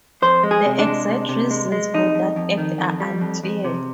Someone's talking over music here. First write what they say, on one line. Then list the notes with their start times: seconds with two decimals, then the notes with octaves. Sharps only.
The exact reasons for that act are unclear.
0.22 F2 C5
0.43 G#3
0.51 G#4
0.66 C3
0.79 D4
0.87 G#3
1.08 C3
1.29 C3
1.51 G#3
1.72 G#3
1.94 F2 D#4
2.15 F2
2.36 F2
2.58 D#3
2.79 F2
3.00 G3
3.21 F2
3.44 F2
3.64 C3